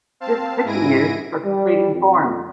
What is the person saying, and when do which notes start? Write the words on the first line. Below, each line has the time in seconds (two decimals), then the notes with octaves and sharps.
This could be used for completing forms.
0.20 C4 F5 A5
0.64 G#2 E4 G#5 A#6 D7 D#7
1.44 G3
1.94 F2